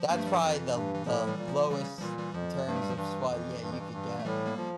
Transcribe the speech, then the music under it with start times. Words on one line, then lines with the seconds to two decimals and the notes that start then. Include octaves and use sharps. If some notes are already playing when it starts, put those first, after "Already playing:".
that's probably the the lowest in terms of spot yeah, you could get.
Already playing: F3
0.10 G2 A#3
0.18 A3
0.27 G3
0.35 F3
0.43 F2 E3
0.74 G2
0.95 E3
1.06 A2 F3
1.27 E3 G3
1.38 A#2
1.49 F3
1.70 C#3 E3 G3
1.98 F3
2.01 A#2 E3 G3
2.18 E3 G3
2.34 F2 F3
2.55 F3
2.66 G2 A#3
2.76 A3
2.83 G3
2.90 F3
2.97 G2 E3
3.29 F2
3.62 G2
3.70 F2
3.78 G2
3.93 G2
4.19 A3
4.25 A2 E3 G3
4.46 G3 A#3
4.57 F3